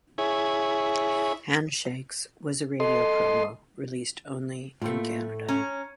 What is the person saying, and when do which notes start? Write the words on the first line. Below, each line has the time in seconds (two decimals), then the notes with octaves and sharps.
"Handshakes" was a radio promo, released only in Canada.
0.18 E4 G#4 C#5
2.80 A4 D#5 C6
4.82 A2 A3 A#3 F4
5.49 C#4 A#5